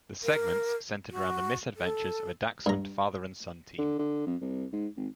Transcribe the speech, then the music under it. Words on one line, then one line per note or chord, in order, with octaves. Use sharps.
The segments centered around the misadventures of a dachshund father-and-son team.
A#4
F#4
A4
G2 A#5
D3
D3
F2
C2
G#2
G#1